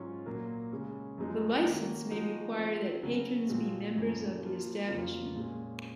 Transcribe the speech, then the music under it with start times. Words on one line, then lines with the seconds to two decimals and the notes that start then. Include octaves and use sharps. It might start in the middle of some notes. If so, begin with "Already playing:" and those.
The license may require that patrons be members of the establishment.
Already playing: G#2 F#3 C#4 F4
0.26 A#2 F#3 A#3
0.72 C#3 G#3 C#4
1.18 F#2 F3 G#3 D#4
1.64 D#3 A#3 C#4 F#4
2.11 F3 G#3 D#4 F#4
2.57 F3 C4 F4
3.03 C#3 F#3 C#4 F#4
3.50 A#2 F3 G#3 C4
3.96 F#2 C#3 F3 A#3 C#4
4.42 F3 A#3 F4
4.89 F2 C#3 F#3 A#3 F4
5.35 A#2 G#3 C#4